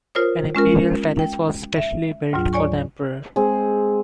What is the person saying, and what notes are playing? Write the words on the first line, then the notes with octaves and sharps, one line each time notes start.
An imperial palace was specially built for the emperor.
F4 A#4 C5 C#5 D#6
G#3 C#4 F4 A#4
G5
E5
D2 G#2 F#3 F4
C#5 D5 G#5 C#6
G#3 C4